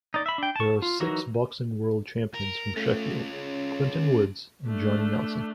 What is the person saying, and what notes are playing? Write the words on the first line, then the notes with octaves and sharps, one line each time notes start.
There are six boxing world champions from Sheffield, Clinton Woods and Johnny Nelson.
D#4 D5
E5 B5
D4 G5
A5 C#6
F4
E3 F#3 D#4 F#4 A#4
A#4
A3 C#4 F4
C#3
A3 D4